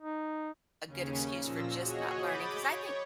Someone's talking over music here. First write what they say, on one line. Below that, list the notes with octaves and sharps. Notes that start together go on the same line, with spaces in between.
a good excuse for just not learning. 'Cause I think
D#4
D#2 C#3 C#4
A#2 F3 E6 A#6
F#4 G#4 C#5 D#5
B5 D6 D#6 G6 A6
C#5